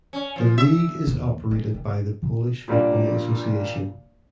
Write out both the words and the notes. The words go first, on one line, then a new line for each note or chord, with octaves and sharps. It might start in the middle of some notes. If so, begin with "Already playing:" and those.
The league is operated by the Polish Football Association.
C#4
F3
E5
D#2
G#3
D#3
A#2 G3 A#3 D4